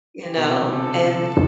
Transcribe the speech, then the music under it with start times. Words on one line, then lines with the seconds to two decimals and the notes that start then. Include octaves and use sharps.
you know, and
0.24 G4
0.37 B2
0.49 C3
0.73 C3 A4
0.86 D3
0.99 C3